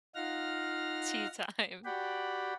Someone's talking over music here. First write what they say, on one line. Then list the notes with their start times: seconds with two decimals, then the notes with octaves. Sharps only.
tea time.
0.15 D#4 F4 F5 F#5 F6 A#6
1.85 F#4 G4 D5 F#5 G5 B5